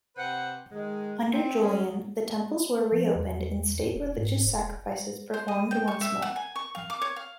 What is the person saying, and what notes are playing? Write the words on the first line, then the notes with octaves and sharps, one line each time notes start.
Under Julian, the temples were reopened and state religious sacrifices performed once more.
C3 B4 C5 F#5
D#3 G#3
C4
G#3 C#4
F3
E2
E1
G#2
E1
C5
D#5
G5
C#6
E5
F#5
G#5
C#6
F5
D6
C#5
F5